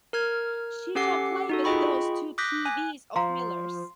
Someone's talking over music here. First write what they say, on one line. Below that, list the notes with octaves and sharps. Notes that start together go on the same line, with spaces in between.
She can play with those two peewees of Miller's.
A#4 F6 G#6
C#4 G4 A4 F#5 D6 C7
D#4 F#4 A4
F4 G#4 D#5 G5 B5 C#6
D6 D#6 F#6 G6 A#6 B6
G#5 F#6
F3 F5 A#5 C6